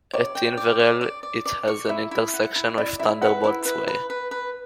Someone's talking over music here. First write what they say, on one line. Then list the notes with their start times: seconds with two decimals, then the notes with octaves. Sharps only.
At Inverell it has an intersection with Thunderbolts Way.
0.13 C#5 D5
0.35 G5
0.57 D5
0.79 D5
1.01 D5
1.23 D5
1.46 D5
1.68 C#6
1.89 E4 E5
2.11 E4
2.34 F#5
2.56 E4
2.77 E4 D5
2.99 E4 E5
3.22 B4 F#5
3.44 E4 F#5
3.65 B4
3.88 B4
4.10 B4
4.31 B4